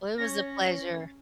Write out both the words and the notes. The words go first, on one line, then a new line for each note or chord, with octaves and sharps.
Oh, it was a pleasure.
C#4 C#5 A#6